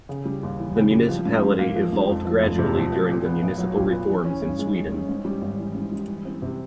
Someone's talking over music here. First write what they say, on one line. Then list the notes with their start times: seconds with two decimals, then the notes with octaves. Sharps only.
The municipality evolved gradually during the municipal reforms in Sweden.
0.09 C#3
0.25 G3
0.43 D#2
0.59 E3
0.76 C#3
0.92 G3
1.08 F3
1.25 G#2
1.43 G#2
1.59 A#3
1.76 F3
1.93 G#2
2.09 F2
2.25 F3
2.43 F1
2.59 C3
2.75 F2
2.92 F3
3.09 A#2
3.26 B3
3.42 B1
3.58 F#3
3.75 A#2
3.92 B3
4.08 E3
4.25 C#4
4.42 G2
4.59 G#3
4.75 E3
4.91 C#4
5.09 G#2
5.25 G3
5.42 G#1
5.58 E3
5.75 G#2
5.92 G3
6.08 E3
6.25 C4
6.42 C3